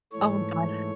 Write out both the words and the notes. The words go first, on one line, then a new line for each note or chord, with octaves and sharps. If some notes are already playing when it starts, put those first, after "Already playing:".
Oh god.
G#2 E3 A3 C#5